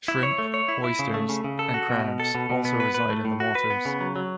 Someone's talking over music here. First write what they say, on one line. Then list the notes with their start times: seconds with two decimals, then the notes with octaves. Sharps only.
Shrimp, Oysters and crabs also reside in the waters.
0.08 E4
0.23 C#5
0.38 A3
0.54 C#5
0.68 E4
0.84 E4
0.99 C#3
1.14 A3
1.29 C#3
1.44 C#3
1.59 A4
1.74 F#4
1.89 B2
2.04 B2
2.20 A4
2.35 B2
2.50 B2
2.65 B3
2.80 B4
2.94 B4
3.10 A3
3.25 A2
3.40 F#4
3.55 B4
3.70 B3
3.85 C#3
4.00 F#3
4.16 F#3